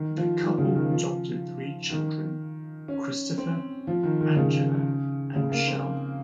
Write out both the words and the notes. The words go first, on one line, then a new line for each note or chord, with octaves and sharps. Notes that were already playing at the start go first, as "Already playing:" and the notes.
The couple adopted three children: Christopher, Angela and Michelle.
Already playing: D#3
F3
D#3
C#3
D#3
F3
D#3
C#4
C4
F3
D#3
D#3
C#3
C#3
A#3
C4